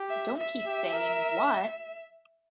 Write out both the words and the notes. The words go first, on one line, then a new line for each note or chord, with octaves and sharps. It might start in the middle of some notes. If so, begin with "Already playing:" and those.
Don't keep saying, 'What?'
Already playing: G4
E5
E5
G4
A#4